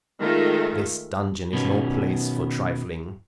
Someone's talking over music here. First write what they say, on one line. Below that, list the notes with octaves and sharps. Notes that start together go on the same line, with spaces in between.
This dungeon is no place for trifling.
D#3 G#3 A3 F4 A4 E5
B2 D#3 B3 C#4